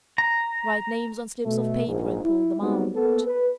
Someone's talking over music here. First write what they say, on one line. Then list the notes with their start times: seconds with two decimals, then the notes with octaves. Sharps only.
Write names on slips of paper and pull them out.
0.18 A#5
1.44 B2 A3
1.86 A#1 G#2
2.24 E4
2.60 G3 G#3 B3 C4 D#4 F#4
2.94 A#3 B3 A4
3.26 B4